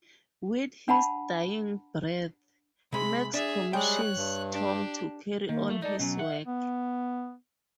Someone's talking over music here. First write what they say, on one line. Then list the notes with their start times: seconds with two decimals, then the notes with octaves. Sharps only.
With his dying breath, Max commissions Tom to carry on his work.
0.88 D4 F#5 A5 B5
2.93 C3 G#3 B5
3.34 D4 G#4 E5
3.73 G3 G#3 C#5 G5 F#6
4.17 G2
4.52 D4 G4
5.49 D#3 A#3
5.70 A3
5.82 D#4 A4 D5
5.99 B2 F#3 C#4
6.19 E5 F#5
6.47 B3